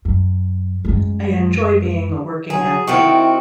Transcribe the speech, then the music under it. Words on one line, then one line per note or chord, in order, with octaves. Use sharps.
I enjoy being a working actor.
F#2
F#2 G#3
F#3 G#4
D#3 C4 E4 F#4